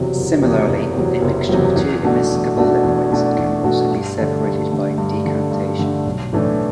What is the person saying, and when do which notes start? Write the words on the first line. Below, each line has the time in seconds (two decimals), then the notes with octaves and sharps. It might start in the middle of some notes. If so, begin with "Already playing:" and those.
Similarly a mixture of two immiscible liquids can also be separated by decantation.
Already playing: F#1 E2 C3 F#3
0.15 F#1
0.42 E2 C3 F#3
0.68 F#1
0.95 E2 C3 F#3
1.22 F#1
1.49 E2 C3 F#3
1.76 E2
2.03 B2 A3 D4 F#4
2.29 E2
2.56 B2 A3 D4 F#4
2.83 E2
3.10 B2 A3 D4 F#4
3.37 E2
3.64 B2 A3 D4 F#4
3.91 G2
4.18 D3 A3
4.45 G2
4.71 D3 A3
4.98 G2
5.25 D3 A3
5.52 G2
5.79 D3 A3
6.06 B1
6.33 A2 E3 A3 D4